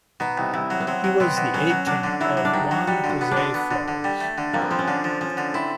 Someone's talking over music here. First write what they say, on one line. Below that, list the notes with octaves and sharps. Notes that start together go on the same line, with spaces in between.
He was the aide-camp of Juan Jose Flores.
B2 D#4
C2
C2 E4
F#3
B3
F#3 C4
F#3
B2 C4
B2
F#3 C#4
F#3
F#3 D4
D3
F#3 E4
F#3
D4
G2 D#4
F#3
G3 F#4
D3
F#4
B3
D4
D3
B3
D3
D3
G3
A3
D3
F2 A#3
B3
F3 C4
C#4
D3 D4
F3
F3 C#4
D3
C4 E4